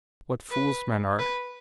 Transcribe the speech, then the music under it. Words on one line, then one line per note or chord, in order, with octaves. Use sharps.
What fools men are!
B4
B4